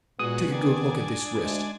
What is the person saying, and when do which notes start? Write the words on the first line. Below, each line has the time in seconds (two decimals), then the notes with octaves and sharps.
Take a good look at this wrist.
0.19 A#2 G#3 B3 F#4 D#6
0.52 D#3 D4 G#5
1.41 D2 G#3